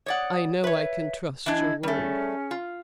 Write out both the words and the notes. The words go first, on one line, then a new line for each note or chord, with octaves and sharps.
"I know I can trust your word."
C#5 D5 F#5 D#6
B4 C#5 E5
E3 D4 E4 D#5 G#6
G3 A3 C#4 G#4
F4